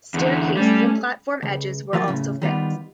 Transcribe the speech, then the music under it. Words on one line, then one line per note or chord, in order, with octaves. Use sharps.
Staircases and platform edges were also fixed.
E2 D3
G3 A3 C#4
C#2
F3 F#3 A#3 F4
A2 C#3
D#3 G3 B3 F4